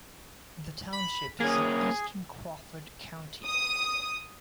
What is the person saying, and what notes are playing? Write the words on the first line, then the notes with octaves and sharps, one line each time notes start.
The township is in eastern Crawford County.
B5
A#3 C#4 G#4
D#6